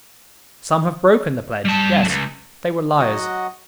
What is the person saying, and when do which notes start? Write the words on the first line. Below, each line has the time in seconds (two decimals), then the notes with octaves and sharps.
"Some have broken the pledge." Yes; they were liars.
1.65 G3 A5
2.04 C#2 F#2
2.99 F#3 F#4 D#5 F#5